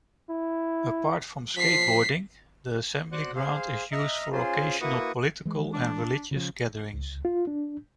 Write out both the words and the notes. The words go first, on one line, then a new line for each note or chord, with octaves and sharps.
Apart from skateboarding, the assembly ground is used for occasional political and religious gatherings.
E4
F3 B6 C7
F#4 C5 D5 F#5 F#6
G#4 C5 F5
D#5 E5 A#5 F6
C#4 F4 G#4 C5
A#3 E4 F#4 B4 C#6 D#6
E3 G#3
D4
C#3 F3
C#2
F4
D4